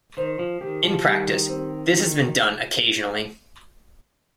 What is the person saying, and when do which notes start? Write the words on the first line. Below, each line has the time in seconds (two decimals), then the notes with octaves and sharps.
In practice this has been done occasionally.
0.17 D#3 C5
0.39 F3
0.61 D#3 G4
0.84 F3
1.05 D#3 G3
1.49 C4
1.93 D#3 D#4